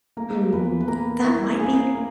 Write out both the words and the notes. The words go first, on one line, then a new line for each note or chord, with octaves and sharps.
Mm, that might be
A#3 A#4
E2 B4
B4
A#3 A#4
E4
A#3 G#4
A#3